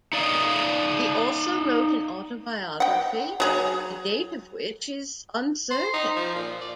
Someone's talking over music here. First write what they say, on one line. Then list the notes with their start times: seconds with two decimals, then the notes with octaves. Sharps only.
He also wrote an autobiography, the date of which is uncertain.
0.13 D#4 D5 D#5 F5
2.80 F#5 G5
3.40 F#3 G#4 C#5
5.71 C5
5.94 D#4
6.16 F3
6.35 A#2
6.61 D5